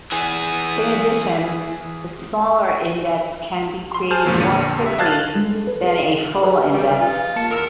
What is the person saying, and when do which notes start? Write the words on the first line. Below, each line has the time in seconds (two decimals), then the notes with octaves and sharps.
In addition, the smaller index can be created more quickly than a full index.
0.12 E3 G#4
3.94 C6
4.11 G#4 C5 G#5 A5 F6 G6
4.26 E2 G2 A#2 D3 F3 G#3
4.41 F2 A#2 D3 C#7 D#7
4.82 G4 E5
4.98 D#5 F5 A5 F#6 G#6 A6
5.35 G#3
5.51 A4
5.67 B4
5.84 G#4
6.43 G4 G#4 B4
6.73 D#3 G3
7.01 F3 D#4 F4
7.36 A#3 A5 C#7
7.51 E2 A#4 E6 C#7